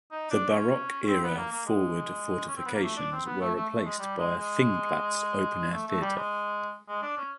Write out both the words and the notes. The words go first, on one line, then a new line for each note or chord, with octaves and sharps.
The Baroque-era forward fortifications were replaced by a Thingplatz open-air theatre.
D#4
D4
C#4
C#4
C4
B3
A#3
A#3
G#3
C#4
C4
B3
A#3
A3
D4
C4
B3
A3
A3
A3
G#3
G3
G#3
G#3
A3
A3
G3
G#3
G#3
D4
C#4